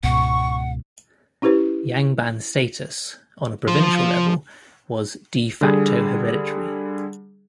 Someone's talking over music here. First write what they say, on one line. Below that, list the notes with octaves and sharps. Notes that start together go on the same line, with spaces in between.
Yangban status on a provincial level was "de facto" hereditary.
C#2 G#2 B2 F#5 C#6
C#4 E4 G4 B4 C5
F3 C5
D3 G3 G#4